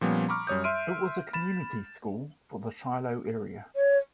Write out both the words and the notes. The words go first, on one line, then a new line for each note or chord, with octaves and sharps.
It was a community school for the Shiloh area.
A#2 F3 G3 B3 C#4
A#5 B5 C#6 D6 F6
F#2 G3 C#5 D#6 G6
E5 C6 F6 D7 D#7
B5 A6 E7
C#5